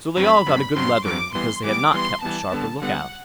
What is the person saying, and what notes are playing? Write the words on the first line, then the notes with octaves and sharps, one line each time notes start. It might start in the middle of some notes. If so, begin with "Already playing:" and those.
So they all got a good leathering because they had not kept a sharper look-out.
G2 F#3 C4 B5
G2 F#3 C4
G2 F#3 C4 C6
G2 F#3 C4 D6
E3 G3 B3 C6
E3 G3 B3 D6
E3 G3 B3 C6
E3 G3 B3 A5
D3 G3 B3
D3 G3 B3 F#5